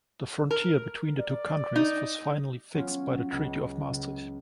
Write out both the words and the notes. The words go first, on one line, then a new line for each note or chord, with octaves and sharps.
The frontier between the two countries was finally fixed by the Treaty of Maastricht.
A#4
D5
D#4
F#3 B3 C#4 F4
C#2
C#2